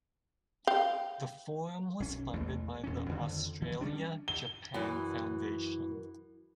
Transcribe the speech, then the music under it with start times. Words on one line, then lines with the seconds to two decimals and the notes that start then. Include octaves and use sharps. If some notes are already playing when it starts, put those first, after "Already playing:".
The forum was funded by the Australia Japan Foundation.
0.67 F5 G5
2.00 B1 C#4
2.33 A1 E2 E3 A3
2.84 E1 E2 A#2 C#4
3.09 F2 D3 D#3
3.62 E3
3.81 G3 G#3 C#4 D4
4.28 G7
4.74 F#2 E3